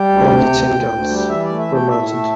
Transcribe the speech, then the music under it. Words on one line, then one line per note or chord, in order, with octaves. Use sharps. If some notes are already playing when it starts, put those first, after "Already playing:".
Only ten guns were mounted.
Already playing: G3 G5
D2
C3
D2
D2
D2
G3
G5
E3 E5
D5
A3
E5
A3
G5
A2 E5
A3